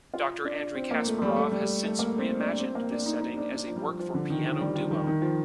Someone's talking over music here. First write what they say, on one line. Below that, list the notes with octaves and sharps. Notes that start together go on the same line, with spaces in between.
Doctor Andrey Kasparov has since re-imagined this setting as a work for piano duo.
F4
D4
C4
A#3
A3
G3
A3
G3
A3
A#3
C4
D4
C4
A#3
D4
D#4
D#4
D4
D4
F3
G3
F3
F3
D3
D#3
F3
G3
F3
D#3
D#3
F3